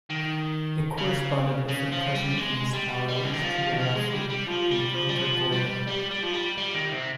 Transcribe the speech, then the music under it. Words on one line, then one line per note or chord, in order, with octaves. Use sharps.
It corresponded with the present municipalities Tijarafe and Puntagorda.
D#3
C#3
C#3
F3
G3
G#3
G3
G3
C#3
D#3
F3
D#3
C#3
G#3
G3
G3
F3
G3
F3
G3
F3
G3
G3
G3
F3
G3
G3
D#3
C3